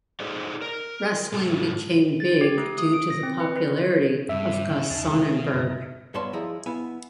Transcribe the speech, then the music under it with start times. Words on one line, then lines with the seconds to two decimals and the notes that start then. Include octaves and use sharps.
Wrestling became big due to the popularity of Gus Sonnenberg.
0.20 D#4 G#4 A4 C5 D5 D#5
0.62 A#4
1.33 G#2 C3 G#3 A4
2.20 A6
2.41 G4
2.58 A3
2.78 D#6
2.93 D7
3.10 A#6
3.23 C4
3.40 B4
3.56 B4
4.29 G2 E5
4.69 C#3 E3
4.90 E2 D#4 A5
5.10 C3 G#3 A3
5.54 G2 A#5 A#6
6.14 G2 B3 C#5 A5 C6
6.33 F3 E4 G#4 D#5 A#5
6.66 B3 E4 F5 G#5